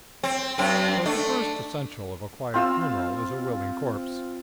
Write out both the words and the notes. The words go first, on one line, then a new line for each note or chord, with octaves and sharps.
But the first essential of a quiet funeral is a willing corpse.
C4
F#2 C4
A3 D4
C4 F4 F5 E6